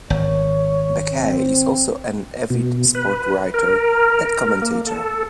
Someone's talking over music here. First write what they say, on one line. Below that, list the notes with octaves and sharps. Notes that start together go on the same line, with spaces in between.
Bakay is also an avid sport writer and commentator.
G#1 C#5
C4
B2
B4
A#4
A#3
A4